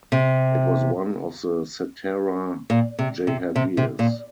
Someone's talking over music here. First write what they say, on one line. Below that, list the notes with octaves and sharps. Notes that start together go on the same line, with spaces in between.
It was one of the Satara Jahagirs.
C3
A#2
C3
C3
C3
C3
A#2